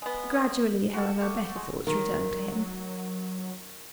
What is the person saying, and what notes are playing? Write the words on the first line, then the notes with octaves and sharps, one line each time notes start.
Gradually, however, better thoughts returned to him.
G#3 B3
F#4 A4
A3 C#6 D6
G#3
D#3 F#3 A#4